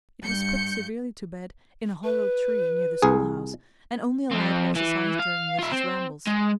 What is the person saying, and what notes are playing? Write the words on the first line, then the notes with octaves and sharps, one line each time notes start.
It was put severely to bed in a hollow tree near the schoolhouse, and only allowed exercise during Mliss's rambles.
G2 G6 C#7
B4
C2 G#4
F2 C4
E3
F5
F4 E5
C4
G#3